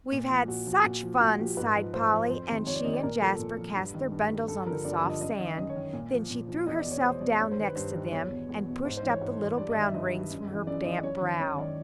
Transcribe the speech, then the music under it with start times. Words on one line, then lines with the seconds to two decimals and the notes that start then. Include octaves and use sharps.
"We've had such fun," sighed Polly, and she and Jasper cast their bundles on the soft sand; then she threw herself down next to them, and pushed up the little brown rings from her damp brow.
0.12 A#2
0.30 F3
0.48 A#2 F#4
0.67 F3
0.84 A#2 F#4
1.03 F3
1.21 A#2 F#4
1.39 F3 G4
1.57 G#2 B4
1.75 F3
1.94 G#2 C5
2.12 F3
2.30 F2
2.48 C3 D#3
2.66 F2 C#5
2.75 D5
2.84 C3 D#3 D#5
2.93 D5
3.03 A#2 A#4
3.21 F3 A4
3.39 A#2
3.57 F3
3.76 G2
3.94 D#3
4.12 G2
4.31 D#3
4.48 G2 A4
4.66 D3 F3 A#4
4.85 G2 D5
4.97 D5
5.03 D3 F3
5.09 D#5
5.21 F#2 D#5
5.39 D#3 D#5
5.57 F#2 D#5
5.69 C#5
5.76 D#3
5.93 A#2
6.12 F3
6.30 A#2
6.48 F3
6.67 E2 D#5
6.79 D5
6.85 B2
6.91 C#5
7.03 E2 C5
7.21 B2 D5
7.39 G2 C#5
7.51 C5
7.57 D#3
7.64 B4
7.76 G2 C5
7.94 D#3
8.12 E2 C#5
8.30 B2
8.49 E2
8.67 B2
8.85 G#2 C5
8.97 C5
9.03 E3
9.09 C#5
9.21 G#2
9.40 E3
9.57 G2 D5
9.70 D#5
9.76 D#3
9.82 E5
9.94 G2 D#5
10.12 D#3
10.30 F#2
10.49 C#3 E3
10.67 F#2 D5
10.85 C#3 E3 D#5
11.03 F#2 C#5
11.21 D#3
11.40 F#2 C#5
11.58 D#3 D5